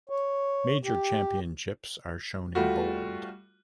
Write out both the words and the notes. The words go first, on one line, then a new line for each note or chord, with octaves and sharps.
Major championships are shown in bold.
C#5
G4
G3 A3 F4 F#4